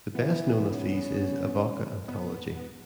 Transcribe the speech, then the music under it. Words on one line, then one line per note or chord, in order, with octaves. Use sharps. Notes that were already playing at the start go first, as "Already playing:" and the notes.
The best known of these is Avoca Anthology.
E3 B3
C#4
B3